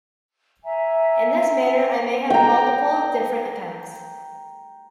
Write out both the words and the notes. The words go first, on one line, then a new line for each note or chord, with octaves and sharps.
In this manner I may have multiple, different accounts.
E5 G#5 A#5
G5 A#5